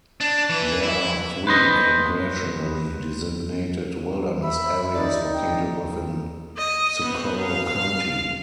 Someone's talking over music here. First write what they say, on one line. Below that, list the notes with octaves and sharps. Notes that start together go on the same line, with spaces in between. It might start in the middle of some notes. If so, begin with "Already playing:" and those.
There are three congressionally designated Wilderness areas located within Socorro County.
D4
E3 B4
E4
B4 C5 D#5
E5 B5
D#4 D5
G5
D#5
B3 C4
F5